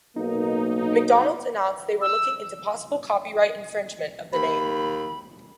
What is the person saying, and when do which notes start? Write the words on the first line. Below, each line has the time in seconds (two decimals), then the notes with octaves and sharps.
McDonald's announced they were looking into possible copyright infringement of the name.
0.16 B1 A#3 D#4
2.02 E6
4.33 D#2 B5